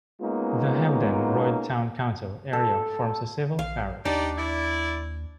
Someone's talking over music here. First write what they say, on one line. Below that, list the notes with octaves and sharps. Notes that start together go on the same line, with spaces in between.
The Hebden Royd Town Council area forms a civil parish.
G#3 A#3 B3 C#4 D#4 F4
A4
A#1 F5
D#2 D4 D#4 G4 D5
E4 D5